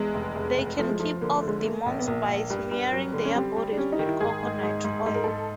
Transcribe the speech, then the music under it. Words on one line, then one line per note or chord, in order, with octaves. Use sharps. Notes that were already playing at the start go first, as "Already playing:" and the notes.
They can keep off demons by smearing their bodies with coconut oil.
Already playing: E2 G#3
F1
F1
F1
F3 A3
G#3
F3 A3
D3 A#3
A3
D3
G#3
A3 A#3
A#1
B3
A#1 A#3
A#1
G2
G2
F#3
D3
C#4
G3 C4
G3
D4
G3 C#4
D#4
D#3
E4
G#2 G#4
G#2
G#2
G#2
G#2 A4
A#4
G#2 A4